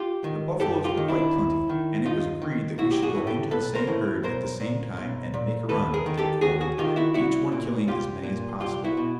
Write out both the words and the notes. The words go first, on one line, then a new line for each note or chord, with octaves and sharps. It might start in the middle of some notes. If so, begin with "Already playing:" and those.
The buffaloes were quite plenty, and it was agreed that we should go into the same herd at the same time and "make a run," as we called it, each one killing as many as possible.
Already playing: F4 G4
D#3
F#2 G4 A4
F4 G4
D#3
D4 E4
D#2
D#3
D#2 D#4 F4
D#3
B1 E4 F#4
G4
F#4 G#4
A2 E3
G4 A4
B1 A4 B4
A#4 C5
A2 E3
B1 A#4 C5
A#2
B1
A#2
D#2 A4 B4
G#4 A#4
D#3
G4 A4
D#2 F#4 G#4
F#4 G#4
D#3 F4 G4
E4 F#4
C2 E4 F#4
A#2
C2 F4 G4
A#2
C2 F4 G4
E4 F#4
B2